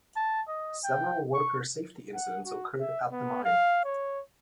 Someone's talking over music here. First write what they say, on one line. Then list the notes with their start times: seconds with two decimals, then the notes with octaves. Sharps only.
Several worker safety incidents occurred at the mine.
0.16 A5
0.48 D#5
0.84 G5
1.34 C#6
2.14 F#5
2.46 F#4
2.80 E5
3.12 B3
3.45 F5
3.85 C#5